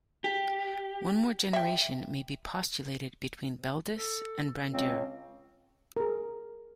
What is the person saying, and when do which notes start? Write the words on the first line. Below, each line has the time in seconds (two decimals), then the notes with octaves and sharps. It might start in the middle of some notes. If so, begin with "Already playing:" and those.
One more generation may be postulated between Beldis and Brandir.
0.24 G4
1.53 E5 G5
3.94 A4
4.73 C#2 C4
5.97 G#4 A#4